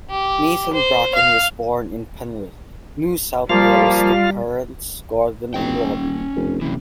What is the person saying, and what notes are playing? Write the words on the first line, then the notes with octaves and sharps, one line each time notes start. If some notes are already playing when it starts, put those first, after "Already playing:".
Nathan Bracken was born in Penrith, New South Wales to parents Gordon and Robin.
G4
C5
F5
F3 G3 A#3 F4 F5
F1 C#4 G5
D#1
F1
F#1 C3 E3